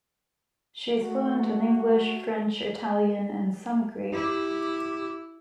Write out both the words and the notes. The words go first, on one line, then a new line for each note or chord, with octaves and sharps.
She is fluent in English, French, Italian and some Greek.
A3 F#4
E4 G4